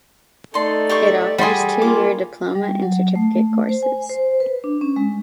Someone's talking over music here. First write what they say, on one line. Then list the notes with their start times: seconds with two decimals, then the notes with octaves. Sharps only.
It offers two-year diploma and certificate courses.
0.54 A3 D#4 A4 D5 C6
0.89 G4 C5 C#6
1.38 G3 F#4 G#4 C6
1.82 A#3 F4 D6
2.55 G3
2.82 F#3
3.15 A3
3.69 C5
3.83 G#5
4.09 C5
4.40 B4
4.64 D4
4.81 C#4
4.96 G#3